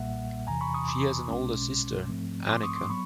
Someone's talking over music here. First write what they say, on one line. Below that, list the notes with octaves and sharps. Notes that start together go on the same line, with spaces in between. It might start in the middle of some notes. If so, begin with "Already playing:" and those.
She has an older sister, Anika.
Already playing: B1 A#2 G3 A#3 E5 F#5
E2 C3 E3 G#5 A#5
B5 C#6
C#6 D#6
C6 D6
B1 B2 G#3 C#4
G#2 F3 A3 C4
C6 D6
C#6 D#6
C6 D6
F#3 B3 B5 C#6